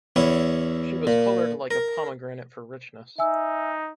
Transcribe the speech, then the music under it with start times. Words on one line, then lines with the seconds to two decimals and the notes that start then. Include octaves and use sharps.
She was coloured like a pomegranate for richness.
0.16 E2 C#4 E4
1.07 A#2
1.71 A#4
3.18 D#4 E5 G#5 E6